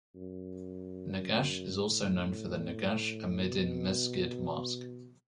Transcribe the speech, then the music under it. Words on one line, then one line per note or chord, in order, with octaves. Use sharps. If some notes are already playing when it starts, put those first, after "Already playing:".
Negash is also known for the Negash Amedin Mesgid mosque.
F#2
A2
B2